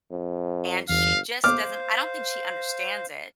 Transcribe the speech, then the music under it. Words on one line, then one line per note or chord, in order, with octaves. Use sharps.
And she just doesn't I don't think she understands it
F2
G1 E2 F5
C5 F5 D6 F6